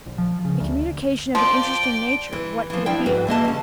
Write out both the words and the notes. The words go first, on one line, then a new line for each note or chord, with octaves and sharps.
A communication of an interesting nature, what could it be?
A#1
F3
C#3
D2
F3 D5 G5
E3
E3 F3
F3 D4 E4 D5 G5
D2 G#2 F#4 B4
E3 A#3 D#5 A5
C#3 C#4